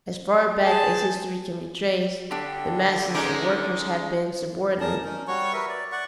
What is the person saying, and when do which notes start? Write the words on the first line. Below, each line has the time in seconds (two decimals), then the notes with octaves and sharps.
As far back as history can be traced, the masses of workers have been subordinate.
0.62 G#4 C5 A5
2.31 D3 D4 G4
3.15 G#3 C#4 D#4 D6
4.80 G#4 A#4 A5
5.05 C#4 D#4 A#4
5.28 G3 F#4 C#5 C#6
5.53 A#4 B4 E5
5.69 D5
5.92 D5 F#5 C#6